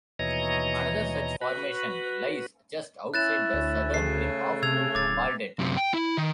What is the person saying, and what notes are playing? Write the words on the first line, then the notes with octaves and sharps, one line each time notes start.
Another such formation lies just outside the southern rim of Baldet.
D#2 B2 E3 C#5 D#5 A#5
F#4 B4
C#4 E4 F#6 A6 E7
D2
C#3 A3 C7
C3 E6 G#6 F7
D1 D6 A6
F#2 C3
G5
E4
D#3